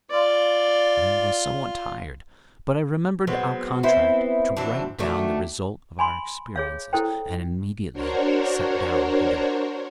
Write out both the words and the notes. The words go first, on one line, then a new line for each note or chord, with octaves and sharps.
I was somewhat tired, but I remembered our contract to write down the result of our experiences, and immediately sat down to do it.
F4 D5
F#3 G#3 B3 C4
B3 C4 E4 C5
E3 F#3 C4 D4
D#3 F#3 A3 D4
G#5 B5 C6
G#4 C#5 F5
E4 A4 C5 G5
D4 F#4 A#4 C5 C#5